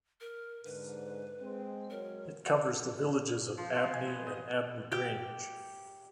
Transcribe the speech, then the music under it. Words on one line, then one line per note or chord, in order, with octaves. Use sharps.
It covers the villages of Abney and Abney Grange.
A#4
G#2 D3 B4
G#3 C4
F#3 G#3 A#4 C#5
F3
F3
G#5
B3
D#5
G4